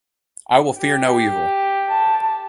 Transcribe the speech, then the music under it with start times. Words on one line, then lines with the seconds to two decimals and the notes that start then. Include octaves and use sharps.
I will fear no evil.
0.80 G4
1.89 A5